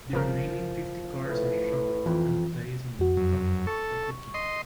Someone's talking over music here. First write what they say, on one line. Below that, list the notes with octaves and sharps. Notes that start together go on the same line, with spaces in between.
The remaining fifty cards are shuffled and placed on the top of the King.
G1 C#3 F3 A#4
A2 B4
F2 E3
F2 F#4
F#2
A4 C#6
D#5 C6